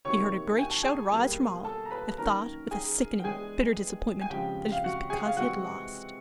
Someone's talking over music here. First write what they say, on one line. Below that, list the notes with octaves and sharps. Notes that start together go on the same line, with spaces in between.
He heard a great shout arise from all, and thought, with a sickening, bitter disappointment, that it was because he had lost.
C3 D#3 F#3 A#3 C#5 C#6
G#5
A5
G#4 G#5
B2 G3 A#3
A4 A5
A#5
B4 B5
A5
D#3 F#3 A#3 C#4 A#4 A#5
G#4 G#5
G5
E3 G#3 B3 D4 G#4 G#5
G#5
C#3 F3 G#3 C4 G4 G5
F5
F#4 F#5
G#4 G#5
F5
C3 E3 G#3 C4 F#4 F#5